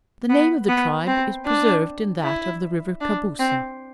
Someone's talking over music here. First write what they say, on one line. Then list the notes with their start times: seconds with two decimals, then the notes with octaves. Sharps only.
The name of the tribe is preserved in that of the river Caboosa.
0.30 B3
0.69 B3
1.07 C4
1.46 D4
2.24 E4
3.01 D4
3.40 C4